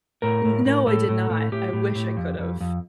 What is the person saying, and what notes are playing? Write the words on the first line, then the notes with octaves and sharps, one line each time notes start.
N no, I did not, I wish I could have.
A2 A#4
A2
A2
A2 A4
A2
A2
A2 G4
A2
A2
F2
F2
F2